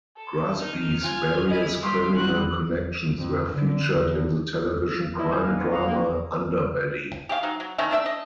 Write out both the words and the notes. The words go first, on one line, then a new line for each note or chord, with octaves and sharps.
Grassby's various criminal connections were featured in the television crime drama "Underbelly".
A4
D#4 F6
F4 G#5
E4 G#4 D#5 D#7
G3 F5 C6 B6
C#4 F#4 F#6
F2
D3
E2
F3 G3 B3 E4 D#5
G#4 C5
A#3 D#4 B4 F5 F6
B3 C4 B4
F4 F5 F#5 A#5
A#3 G4 D5 D#5
G4 G#4 F5
F#3 D#4
F#3
D#3 A3 C#4 D#5
A3 D4 E5
D#5